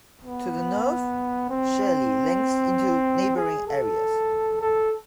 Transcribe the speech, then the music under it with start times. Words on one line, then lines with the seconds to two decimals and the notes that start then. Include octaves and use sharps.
To the north, Shirley links into neighbouring areas.
0.24 B3
1.49 C4
3.37 G#4
3.67 A4
4.61 A4